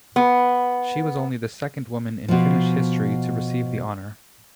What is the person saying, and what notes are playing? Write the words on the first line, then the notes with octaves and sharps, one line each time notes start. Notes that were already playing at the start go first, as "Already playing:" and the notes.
She was only the second woman in Finnish history to receive the honour.
B3
B2 F3